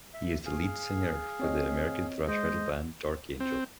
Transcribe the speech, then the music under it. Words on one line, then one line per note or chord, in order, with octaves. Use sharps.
He is the lead singer for the American thrash metal band Dark Angel.
E5
G#4 F5
C4 C#5 D#5
G#3 C5 D#5
C4